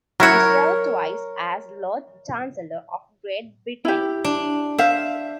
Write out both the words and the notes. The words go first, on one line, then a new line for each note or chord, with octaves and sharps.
He served twice as Lord Chancellor of Great Britain.
F#3 E4 F#4 A#4 C#5
E4 G4
D4
C5 E5 F5